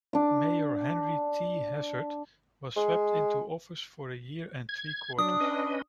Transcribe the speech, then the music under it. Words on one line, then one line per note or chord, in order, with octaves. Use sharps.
Mayor Henry T. Hazard was swept into office for a year and three quarters.
D4 D6
G#3
G#6
F#3 D4 D#6
C#4 B4 D#5